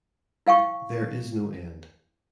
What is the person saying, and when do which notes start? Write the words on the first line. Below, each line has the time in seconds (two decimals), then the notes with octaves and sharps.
There is no end.
0.47 E4 F5 G5 C#6